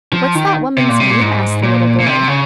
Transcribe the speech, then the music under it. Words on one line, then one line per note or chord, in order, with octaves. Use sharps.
"What's that woman's name?" asked the little boy.
F3
D#3
C3
A#2
C3
A#2
G#2
A#2
A#2
C3
C#3